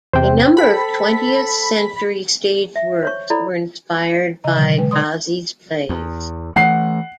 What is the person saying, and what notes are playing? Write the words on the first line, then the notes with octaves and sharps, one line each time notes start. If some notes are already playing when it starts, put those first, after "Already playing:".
A number of twentieth-century stage works were inspired by Gozzi's plays.
E2 C3 C5 G5
A4 B5 B6
E5
C5 C#5 C#6
E4 A4 D5 B5
C#3 D#5 A#5
B2 D3 E3 F#3
G#3 B4 G5
D5 C6 D#6
E2
E3 A3 F#5 C7